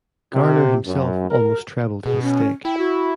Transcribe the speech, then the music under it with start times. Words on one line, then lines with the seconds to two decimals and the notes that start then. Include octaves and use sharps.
Garner himself almost trebled his stake.
0.34 C3
0.87 F#2
1.31 A#4
2.06 B2 G#4
2.22 C#4
2.65 E4 G5
2.78 F#4